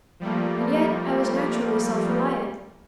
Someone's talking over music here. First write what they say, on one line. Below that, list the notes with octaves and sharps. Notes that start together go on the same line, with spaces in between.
And yet I was naturally self-reliant.
F3 G3 A3 A#3